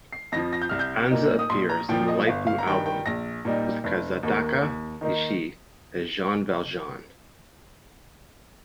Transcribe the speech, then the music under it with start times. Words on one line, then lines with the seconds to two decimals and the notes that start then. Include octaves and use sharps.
Anza appears on the light blue album with Kazutaka Ishii as Jean Valjean.
0.13 C7
0.32 F2 F3 A#6
0.53 A#6
0.62 G6
0.69 C2 F6
0.79 G6
1.11 A#2 A#3 D#4
1.39 D#6
1.50 A#1 C6
1.69 A#5
1.89 A#2 F3 G5
2.08 D#5
2.27 G1 F5
2.47 F5
2.58 A#5
2.67 G2 D#3 G5
2.86 G5
3.06 A#1 A#6
3.45 A#2 G3 D#4
3.84 F1
4.23 D#2 D#3 A#3
4.62 D#2
5.01 D#3 A#3 D#4